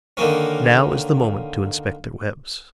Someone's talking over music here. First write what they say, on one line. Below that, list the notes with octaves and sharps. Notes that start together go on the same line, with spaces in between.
Now is the moment to inspect the webs.
D3 D#3 A#3 C#4